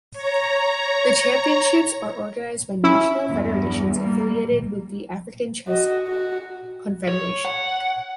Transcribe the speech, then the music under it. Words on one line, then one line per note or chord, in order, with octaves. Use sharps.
The championships are organized by national federations affiliated with the African Chess Confederation.
C#5 A#5
C#4 E4
E2 G2
G3 A#3
F#4 D#5
F#4
C#5
F#5